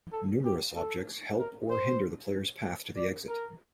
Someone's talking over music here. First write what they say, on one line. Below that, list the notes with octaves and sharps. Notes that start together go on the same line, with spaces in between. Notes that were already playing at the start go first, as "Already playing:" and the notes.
Numerous objects help or hinder the player's path to the exit.
A4
G4
A4
A#4
C5
D5
A#4